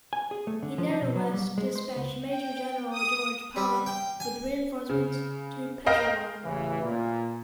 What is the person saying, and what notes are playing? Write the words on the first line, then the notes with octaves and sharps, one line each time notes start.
He nevertheless dispatched Major General George Pollock with reinforcements to Peshawar.
G#5
G#4
A3
D3
F3
D4
B2
F#3
G3
G#3
C5
C#2
G5
D#6
G3
G5
G#5
C#3
A#4 D#5 F5 G5 F6 A#6
A1 C#3 E3
A#2